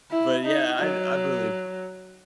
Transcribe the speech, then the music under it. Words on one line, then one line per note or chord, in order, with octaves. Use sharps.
but, yeah, I I've really ap
E4
D#4
F#3